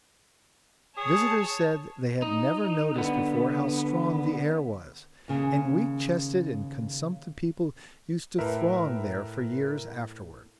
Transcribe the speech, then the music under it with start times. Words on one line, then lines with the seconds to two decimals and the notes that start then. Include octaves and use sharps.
Visitors said they had never noticed before how strong the air was, and weak-chested and consumptive people used to throng there for years afterwards.
0.98 G#4 C#5 A5
2.22 D#4
2.96 D3 B3
5.28 D#2 C#3 G#4
8.38 A2 E4 A#4 B4 E5